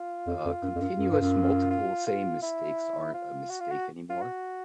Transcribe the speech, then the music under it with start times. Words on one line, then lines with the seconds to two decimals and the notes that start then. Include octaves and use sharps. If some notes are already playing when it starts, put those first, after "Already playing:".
uh, continuous, multiple, same mistakes aren't a mistake anymore.
Already playing: F4
0.27 F2
0.46 F2
0.63 F#2
0.76 F2
0.81 F#2
0.99 F#2
1.10 G2
1.20 F#2
1.71 F4
2.06 F4
2.42 E4
3.14 F4
3.49 F#4
3.60 F4
3.70 F#4
4.09 F4
4.21 F#4